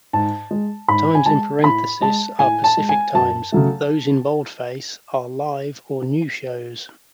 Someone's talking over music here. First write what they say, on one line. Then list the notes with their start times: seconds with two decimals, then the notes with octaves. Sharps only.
Times in parenthesis are Pacific times; those in boldface are live or new shows.
0.13 G#2 A5
0.51 G#3
0.88 G#2 B5
1.15 G#5
1.26 G#3 A5
1.64 A2 B5
2.01 G#3 A5
2.39 A2 G#5
2.64 A5
2.77 G#3
2.89 G#5
3.14 F#2 A5
3.52 C#3 F#3 A3